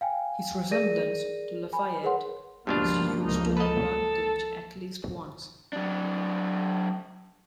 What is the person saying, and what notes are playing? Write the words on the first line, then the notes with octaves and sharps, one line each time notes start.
His resemblance to Lafayette was used to advantage at least once.
F5 G5 G#5
G#4 A#4 D5 A#6 D#7
G#5 B5
G#4 A#4 B4 C#5 F#5 C6
C#2 G2 B2 F3 A#3 D4 F4
D#4
A4 B4 D#5
F#3 D4